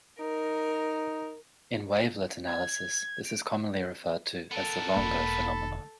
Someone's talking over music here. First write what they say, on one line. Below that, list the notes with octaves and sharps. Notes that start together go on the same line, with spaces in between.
In wavelet analysis, this is commonly referred to as the Longo phenomenon.
D#4 A#4
G#6
D7
B3 A4 A#4
E1 A#3 B5